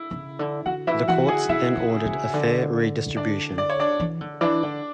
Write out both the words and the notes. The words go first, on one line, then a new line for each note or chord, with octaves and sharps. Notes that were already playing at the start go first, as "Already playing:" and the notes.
The courts then ordered a fair redistribution.
Already playing: E4
C#3
D3
D3 F#4 F#5
E3 E4 E5
E3 F#4 F#5
D3 G#4 G#5
C#3 E4 E5
C#3
C#3
D3
D4 D5
D5
C#5
D4 D5
E3
D3
E3 D4 D5
D3